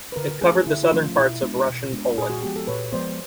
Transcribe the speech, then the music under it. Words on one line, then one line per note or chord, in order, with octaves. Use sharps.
It covered the southern parts of Russian Poland.
B4
D3 A#4
F3 A3 C#4 G#4
D3 E4
F4
F3 A3 C#4
B2 E4
G#3 B3 D4
B2
G#3 B3 D4
A#2 G#4
F#4
F3 G#3 B3 G4
A4
A#2 B4 C#5
F3 G#3 B3 C5 D5